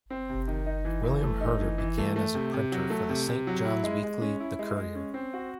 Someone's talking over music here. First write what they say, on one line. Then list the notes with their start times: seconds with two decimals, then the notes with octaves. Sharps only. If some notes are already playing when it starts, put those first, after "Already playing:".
William Herder began as a printer for the Saint John's weekly "The Courier".
0.10 C4
0.29 C3
0.47 D#3
0.66 D#4
0.85 E3
1.03 E3
1.23 A3
1.41 D#4
1.61 E3
1.78 E3
1.98 A3
2.16 A3
2.34 C3
2.53 C3
2.72 F#3
2.90 A3
3.09 C3
3.28 C3
3.47 F#3
3.65 E4
3.84 G#3
4.03 G#3
4.21 C#4
4.40 E4
4.59 G#3
4.76 G#3
4.95 C#4
5.14 C4
5.34 F#4